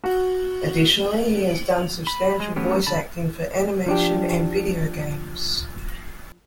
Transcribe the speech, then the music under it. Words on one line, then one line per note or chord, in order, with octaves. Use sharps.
Additionally, he has done substantial voice acting for animation and video games.
F#4
B5
G#3
F#3 A3 B3 C#4 G4
D3 A5 B5
F3 D4 G4